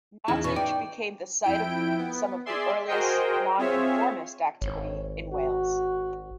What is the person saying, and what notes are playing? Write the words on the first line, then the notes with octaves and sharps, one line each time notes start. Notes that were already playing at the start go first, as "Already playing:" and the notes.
Nottage became the site of some of the earliest Nonconformist activity in Wales.
E2 C#3 D#4 E4
B2 C#6
D#4 D5 G5
F2 E4 G5 D7
B3
G#4 D5 E5 C6
F#4 G#4 A#4 C5 D#5 G5
C4 F4 G#4 C#5 E5
G#1 C#5
F#4